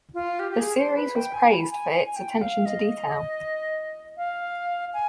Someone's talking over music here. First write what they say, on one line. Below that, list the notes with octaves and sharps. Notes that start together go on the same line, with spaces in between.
The series was praised for its attention to detail.
F4
G4
G4
G#4
C5
B4
G5
G#5
B5
G#5
G#5
G#5
G5
F5
D#5
F5
G#5